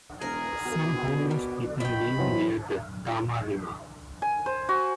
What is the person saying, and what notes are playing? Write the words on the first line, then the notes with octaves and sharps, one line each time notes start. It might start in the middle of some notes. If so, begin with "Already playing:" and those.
Some homeless people live near the Tama River.
E1 G#4 A#4
B2
A#2
D#3 G5 B5
B1 E3 F#3 C5
G#5
C5
F#4